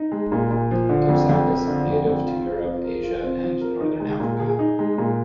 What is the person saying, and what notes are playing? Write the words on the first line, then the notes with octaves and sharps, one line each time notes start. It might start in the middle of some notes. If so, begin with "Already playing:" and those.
Dipsacus are native to Europe, Asia and northern Africa.
Already playing: D#4
G#3
A#2
A#2
F3
D3
F2
F2
F3
D3
F2
F2
F4
C4
F3
A#4
F4
C4
F3
A#4
D#4
G#3
A#2
G#4
D#4
G#3
A#2